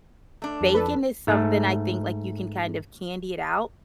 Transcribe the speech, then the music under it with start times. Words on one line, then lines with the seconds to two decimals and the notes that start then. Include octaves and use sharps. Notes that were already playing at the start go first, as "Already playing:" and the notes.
bacon is something, I think, like, you can kind of candy-it-out
0.42 A3 D4
0.61 F2
0.74 A4 B4
1.27 G#2 A3